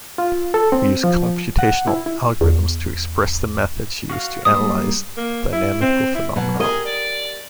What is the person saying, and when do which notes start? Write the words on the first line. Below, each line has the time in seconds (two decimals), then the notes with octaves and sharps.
We use computational algorithms to express the methods used to analyze dynamical phenomena.
0.18 F4
0.54 A4
0.72 C4
1.04 F3
1.59 F#5
1.87 E4
2.06 E4
2.41 E2
4.10 F#4 F5
4.45 G3 A#3 D#6
5.17 A#3
5.53 E4
5.81 C4
6.15 E4
6.36 B2 F#3
6.60 G4 G#4 A#4 D#5
6.85 D5